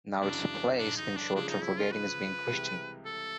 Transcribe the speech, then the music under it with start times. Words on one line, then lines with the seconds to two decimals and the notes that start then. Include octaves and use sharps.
Now, its place in short term forgetting is being questioned.
0.22 F#2 C#3 E3 D4
0.78 D4
0.97 D#4
1.17 D4
1.35 C#3 F3 G#3 D4
1.49 D#4
1.63 E4
1.78 F4
1.91 B4
2.48 C2 C3 E3 G#3
3.06 A4